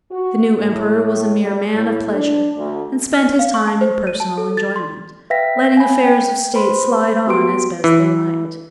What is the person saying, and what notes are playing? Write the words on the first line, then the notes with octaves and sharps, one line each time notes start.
The new emperor was a mere man of pleasure, and spent his time in personal enjoyment, letting affairs of state slide on as best they might.
F#4
A2
G3
A2
D4
D2
F6
F5
C#6
A5
C5
D#7
A5
A4
A6
C6
B4 E5 F5 G5 A#6 B6
G#5 B5
G5
B4 C5 B5 C6
B3 F#4 G4 B4 C6 D7
E3